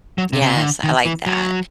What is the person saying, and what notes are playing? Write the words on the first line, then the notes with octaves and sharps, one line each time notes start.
Yes, I like that.
F#3
C3
C#3
C3
D#3
D3
D#3
E3
F#3